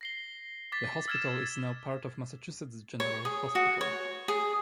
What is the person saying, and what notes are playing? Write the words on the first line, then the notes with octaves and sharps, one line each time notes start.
The hospital is now part of Massachusetts General Hospital.
A#6 C7 G7
D6 A6 B6
E6 F6 G#6 A6 E7
C#5
G#4
F#4
C#5
G#4